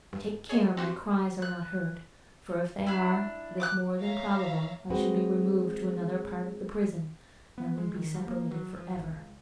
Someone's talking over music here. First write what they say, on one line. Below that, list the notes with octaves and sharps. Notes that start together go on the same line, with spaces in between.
Take care my cries are not heard, for if they are it is more than probable I should be removed to another part of the prison, and we be separated forever.
G2
G#4 C#5 D#5 G#5
C4 F#4 G4 C6
F#6
D4 E4
D6 D#6 F#6
C#5 E5 F5 A#5
G#3 C4 F#4 B4
B3
G#3
D#3
G3
A#3
F#3
F3
G#1
C#2